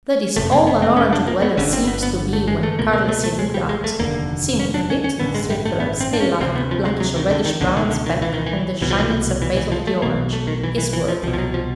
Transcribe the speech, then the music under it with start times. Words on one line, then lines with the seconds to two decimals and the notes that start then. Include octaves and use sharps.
That is all an Orange-dweller seems to be when carelessly looked at; simply a little circular, scale-like, blackish or reddish-brown speck on the shining surface of the orange, his world.
0.36 F#1 F2 C3 A3
0.52 A#3
0.67 B3
0.82 C4
0.97 C#4
1.13 D4
1.28 A#3
1.42 B3
1.57 G1 G2 D3 C#4
1.73 C4
1.87 B3
2.03 B3
2.33 A3
2.48 G#3
2.63 A3
2.79 C#2 B2 A#3
2.93 A#3
3.09 A3
3.24 A3
3.39 G#3
3.54 G3
3.69 G#3
3.84 A3
3.99 F1 D#2 D3 A#3
4.60 C#4
4.74 D4
4.90 C#4
5.04 C#4
5.19 A1 G2 D3 B3
5.35 G#3
5.50 G3
5.65 A3
5.80 B3
6.01 C4
6.13 D4
6.20 C#4
6.41 D2 C3 C4
6.56 B3
6.71 F3
6.85 G#3
7.00 F#3
7.16 D#3
7.31 D3
7.45 D#3
7.61 C#2 B2 D3
7.77 D#3
7.91 D3
8.06 D#3
8.22 E3
8.33 D#3
8.46 E3
8.81 C2 B2 E3
8.90 F3
8.99 E3
9.42 E3
9.57 E3
9.72 F3
9.87 A3
10.02 B1 B2 A#3
10.33 A3
10.47 D#3
10.63 E3
10.78 E3
10.93 E3
11.08 F3
11.23 C2 F3
11.27 B2
11.33 F3
11.38 F#3
11.54 F3